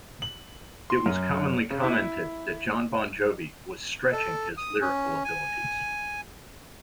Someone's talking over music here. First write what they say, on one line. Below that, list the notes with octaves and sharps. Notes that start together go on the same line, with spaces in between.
It was commonly commented that Jon Bon Jovi was "stretching" his lyrical abilities.
F#7
C6
F#2
C#3
E4
A4
D#6
C#4
G#5